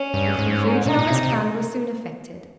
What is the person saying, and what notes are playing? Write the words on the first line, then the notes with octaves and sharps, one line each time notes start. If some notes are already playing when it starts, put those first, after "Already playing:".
The conclusion of his plan was soon effected.
Already playing: C#4
G2
G#2
A#2 D#4
A#2
C3
C3